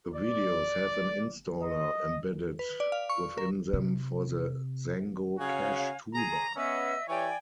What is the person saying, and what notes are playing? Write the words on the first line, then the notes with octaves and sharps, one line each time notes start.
The videos have an installer embedded within them for the Zango Cash Toolbar.
D5
D#5
B4
D5
F5
C#6
A#4
C3
C#3 F#4 C#5 F5 G#5
G#4 A#5
B3 C#4 D#5 E5 E6
E3 G4 C#5 D5 G5 G#5